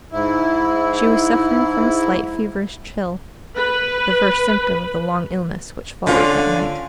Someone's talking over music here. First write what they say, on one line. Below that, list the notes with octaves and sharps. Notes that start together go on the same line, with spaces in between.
She was suffering from a slight feverish chill--the first symptom of the long illness which followed that night.
G#2 E4
B4
D3 C#4 F4